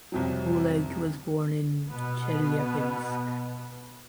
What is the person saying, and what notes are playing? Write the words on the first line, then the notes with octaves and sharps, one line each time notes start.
Oleg was born in Chelyabinsk.
C2 F2 F#3
B2 B3